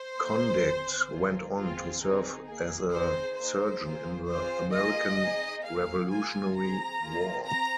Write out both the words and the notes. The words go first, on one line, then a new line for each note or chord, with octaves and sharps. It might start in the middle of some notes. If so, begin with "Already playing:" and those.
Condict went on to serve as a surgeon in the American Revolutionary War.
Already playing: C5
A#3 D#4 G#4
C4 G#4
A#3 F4 G#4
C4 F4 G#4
C4 D#4 G#4
A#3 G#4
C4 D#4 G#4 C5
A#3 D#4 G#4 C5
A#3 F4 G#4
C4 F4 G#4 C5
A#3 F4 G#4 D#5
C4 D#4 G#4
A#3 G#4 F5
A#3 F4 G#4 G#5
C4 G#4 A#5
A#3 F4 G#4
C4 A#5